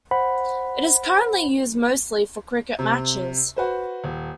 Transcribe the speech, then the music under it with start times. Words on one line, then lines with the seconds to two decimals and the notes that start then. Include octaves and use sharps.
It is currently used mostly for cricket matches.
0.11 C5 F#5 B5
2.79 C3
3.56 F#4 B4 C5
4.04 D#1